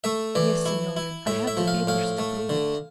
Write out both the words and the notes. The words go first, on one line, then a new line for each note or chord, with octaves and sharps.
"Yes, Senor; I have the papers to prove it."
A3 E5
E3 D5
E4
E4
A2 E5
E5
F3
F5
A2 F5
A3
D3